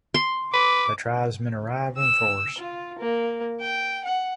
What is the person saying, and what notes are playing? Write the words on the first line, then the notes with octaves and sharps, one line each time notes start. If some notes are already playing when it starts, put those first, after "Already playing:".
The tribesmen arrive in force.
C6
B4 D6
E6
F4
A#3
G5
F#5